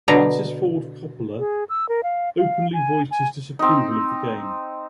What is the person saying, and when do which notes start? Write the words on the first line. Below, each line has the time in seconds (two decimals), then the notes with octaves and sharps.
Francis Ford Coppola openly voiced his disapproval of the game.
0.08 B2 D3 A#5
1.39 G#4
1.69 E6
1.89 A#4
2.03 F5
2.38 F5
2.73 G#5
3.11 G#5
3.59 C4 D#4